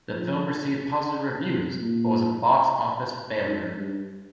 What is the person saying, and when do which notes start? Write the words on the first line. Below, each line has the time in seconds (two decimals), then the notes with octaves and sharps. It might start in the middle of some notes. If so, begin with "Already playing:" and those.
The film received positive reviews but was a box office failure.
0.13 F3
1.45 C3
1.79 A#2
3.44 G#2
3.77 G2